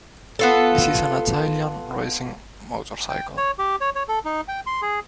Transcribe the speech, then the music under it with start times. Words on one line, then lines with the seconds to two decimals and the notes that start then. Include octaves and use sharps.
This is an Italian racing motorcycle.
0.39 B3 F4 A4
3.10 G5
3.37 C#5
3.59 G4
3.81 C#5
3.95 C#5
4.08 A4
4.25 D#4
4.48 G5
4.67 C6
4.82 G#4